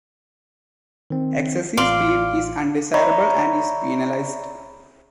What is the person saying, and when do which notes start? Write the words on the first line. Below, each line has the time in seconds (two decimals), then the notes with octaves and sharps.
Excessive speed is undesirable and is penalized.
1.10 D#3 C4
1.77 A1 F4 D5 F5 C6 D6
2.94 C#5 D5 E5 A#5 B5 C#6